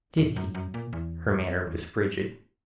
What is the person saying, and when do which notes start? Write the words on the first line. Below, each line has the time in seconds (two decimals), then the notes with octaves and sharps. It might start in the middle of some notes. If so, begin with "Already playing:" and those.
"Did he?" Her manner was frigid.
0.17 E2
0.36 F#2
0.54 F#2
0.74 A#2
0.93 E2
1.67 E2